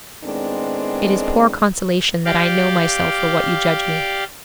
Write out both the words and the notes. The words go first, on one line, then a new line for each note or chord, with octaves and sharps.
'It is poor consolation that I know myself for what you judge me.
A2 D#3 G#3 B3 C4 D4
G4 D5 F5